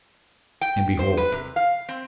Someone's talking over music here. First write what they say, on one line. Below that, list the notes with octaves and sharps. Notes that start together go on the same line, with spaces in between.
And behold!
G5
C5
B4
C3
F5
C4